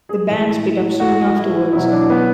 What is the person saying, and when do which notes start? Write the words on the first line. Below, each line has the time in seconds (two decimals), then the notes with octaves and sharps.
The band split up soon afterwards.
0.09 G#4
0.28 A2 E3 G#3
1.00 F#4
1.36 E4
1.72 E2 B2 F#3 E4
1.90 D4
2.10 B3